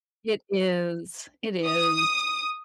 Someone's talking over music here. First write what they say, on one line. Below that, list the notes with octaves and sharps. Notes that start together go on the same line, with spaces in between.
It is. It is.
D#6